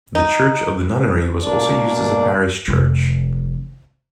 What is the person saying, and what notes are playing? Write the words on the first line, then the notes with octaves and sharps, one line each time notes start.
The church of the nunnery was also used as a parish church.
D#4
B2 A#3 D4 D5
F1 D#3